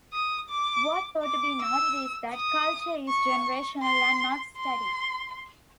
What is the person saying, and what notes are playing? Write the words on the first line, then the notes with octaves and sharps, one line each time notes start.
What ought to be noted is that culture is generational and not static.
D#6
D6
D6
E6
D#6
C#6
C6
C6